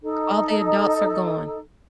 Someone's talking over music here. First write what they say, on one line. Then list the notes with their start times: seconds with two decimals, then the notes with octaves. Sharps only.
All the adults are gone.
0.03 D#4 A4